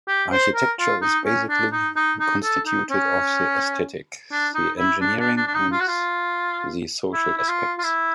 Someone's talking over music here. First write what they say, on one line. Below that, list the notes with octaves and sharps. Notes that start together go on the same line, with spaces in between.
Architecture is basically constituted of the aesthetic, the engineering and the social aspects.
G4
C5
A#4
F4
D#4
C#4
D4
D#4
D#4
D#4
A4
D#4
C#4
D4
D#4
E4
D4
D4
D4
D4
D#4
F4
F#4
F4
E4
E4
F4
F4
E4